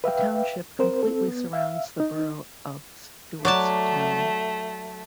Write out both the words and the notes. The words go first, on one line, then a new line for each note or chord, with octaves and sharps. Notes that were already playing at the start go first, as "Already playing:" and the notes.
The township completely surrounds the borough of Stewartstown.
B4 E5 F5 G5
C4 A#4 C5
C4 A4
B3
E5 F5
D#4
F#3 A3 D5 A5